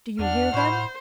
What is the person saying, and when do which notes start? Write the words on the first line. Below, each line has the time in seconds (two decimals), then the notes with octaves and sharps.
Do you hear them?
0.19 E2 D4 F#5 F6
0.54 A2 E4 F#4 C5